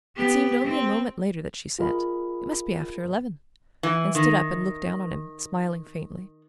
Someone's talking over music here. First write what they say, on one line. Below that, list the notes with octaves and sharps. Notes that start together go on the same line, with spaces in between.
It seemed only a moment later that she said: "It must be after eleven," and stood up and looked down on him, smiling faintly.
B3 G4
C4
F4 G#4 A#4 D#5 B5
E3
D#3